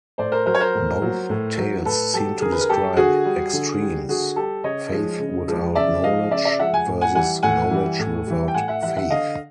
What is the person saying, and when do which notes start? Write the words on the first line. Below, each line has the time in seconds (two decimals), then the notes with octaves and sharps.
Both tales seem to describe extremes, faith without knowledge versus knowledge without faith.
0.18 A2 C5 D5
0.32 A#4 C5
0.46 F#3 A#4 C5
0.54 C#5
0.60 A#4 C5
0.75 A2
1.02 F#3
1.29 A2
1.57 F#3
1.85 A2 A4 B4
2.14 F#3 G4 A4
2.41 D3 G#4 A#4
2.52 B4
2.61 A#4
2.69 G3 G4 A4
2.97 D3 F#4 G#4
3.25 G3
3.53 D3
3.80 G3
4.08 D3 F#4 G#4
4.36 G3 G4 A4
4.64 C#3 C#5 D#5
4.92 F3 G#3
5.19 C#3
5.48 F3 G#3
5.75 C#3 D5 E5
6.03 F3 G#3 D#5 F5
6.31 C#3 D5 E5
6.45 D5 E5
6.59 F3 G#3 E5 F#5
6.73 F#5 G#5
6.87 A2
7.01 F#5 G#5
7.15 E3 G3 F#5 G#5
7.43 A2 F#5 G#5
7.71 E3 G3
7.99 A2
8.27 E3 G3
8.48 G5
8.54 A2 F#5 G#5
8.68 E5 F#5
8.82 E3 G3 E5 F#5
8.97 E5 F#5
9.10 D3 D#5 F5